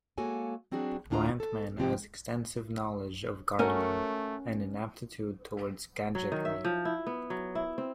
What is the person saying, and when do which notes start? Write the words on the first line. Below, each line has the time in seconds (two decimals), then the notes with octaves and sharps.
Plantman has extensive knowledge of gardening, and an aptitude towards gadgetry.
0.18 G#3 A#3 F#4 A4 C#5 G#5
0.72 F#3 C4 D4 F#4 G#4
1.10 D2 A2 D4 F4 A#5
1.40 A4
1.77 C3 F3 C4 G4
3.59 A3 C#4 F#4 A#4
6.15 F#3
6.32 D#3
6.45 E5
6.65 F3
6.85 E4
7.07 B3
7.30 F#3
7.55 E4
7.78 C4